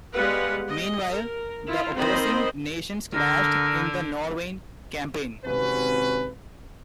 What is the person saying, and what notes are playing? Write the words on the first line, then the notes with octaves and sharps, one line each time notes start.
Meanwhile, the opposing nations clashed in the Norwegian Campaign.
G3 G#3 B3 B4 F5 F#5
D#5
A#4
E4 F4
D#3 C4 C5 D#5 B5
D3 A#4
G#1 C3 C#4 F#4 B4